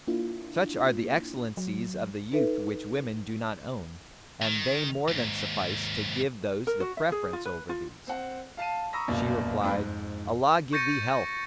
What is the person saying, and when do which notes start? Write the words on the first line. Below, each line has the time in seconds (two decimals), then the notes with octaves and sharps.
Such are the excellencies of the youth which women do not own, and they more than suffice to give those the preference over these.' She replied, 'Allah give thee health!
0.08 A#3 D4 E4 F4
1.57 F#3
2.32 D#4 A4 B4 E5
4.42 D#3
5.08 D#2 G#2
6.67 A#4
6.80 F#4
6.97 E5
7.12 G#4
7.33 F4
7.45 B4
7.69 F4
8.07 C4 F#5
8.57 F5 A5 C7 D#7
8.93 A#5 B5 C#6 D#6 E6 A#6
9.08 D#1 C#2 F#2 B2 A#3 D5
9.61 F2 A3 B3 D4 B5
9.73 F2 G#2
10.73 C#6 G6 A6 A#6 C#7 D#7